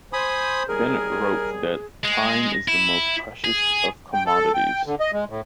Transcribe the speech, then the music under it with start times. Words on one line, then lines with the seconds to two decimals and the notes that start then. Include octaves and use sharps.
Bennett wrote that time is the most precious of commodities.
0.13 C5 G#5 B5 D#6
0.68 D#2 G3 G#4 A#4
2.05 G#3
2.68 E4
3.44 G#4
4.13 G5
4.26 A4
4.54 G5
4.86 D3
5.00 D#5
5.13 G#3
5.30 A2